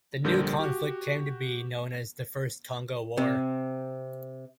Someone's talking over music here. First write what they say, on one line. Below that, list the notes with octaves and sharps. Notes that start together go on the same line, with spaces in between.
This new conflict came to be known as the First Congo War.
A#1 D3 G3 A#4 G6
F#4 G4
C3